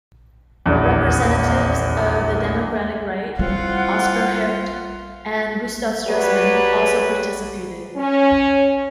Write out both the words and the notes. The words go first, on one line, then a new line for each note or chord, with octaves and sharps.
Representatives of the democratic right, Oskar Hergt and Gustav Stresemann also participated.
D#1 A#1 E2
G3 C4 E4 F4 F#5
F#3 G3 G#4 B4
C#4